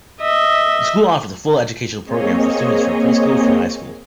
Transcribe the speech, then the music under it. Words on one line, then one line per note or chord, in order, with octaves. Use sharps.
The school offers a full educational program for students from preschool through high school.
D#5 E5
A#3 C4 G#4 C#5 D#5